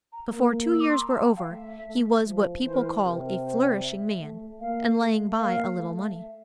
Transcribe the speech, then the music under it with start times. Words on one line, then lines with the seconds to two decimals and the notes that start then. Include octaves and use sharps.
Before two years were over, he was what people call a flourishing man, and laying by a little money.
0.12 A#5
0.31 A#3
0.71 E6
0.80 D6
0.90 C6
1.00 A#5
1.10 A5
1.23 G5
1.36 F5
1.49 A3 E5
1.88 A3
2.26 F3
2.65 E3 C5
2.74 A#4
2.81 C5
3.04 C3 A#4
3.24 A#4
3.43 C5
3.63 D5
3.82 E5
4.21 A3
4.60 A#3 F5
4.99 A3
5.37 A#3 F5
5.76 A3
6.16 E5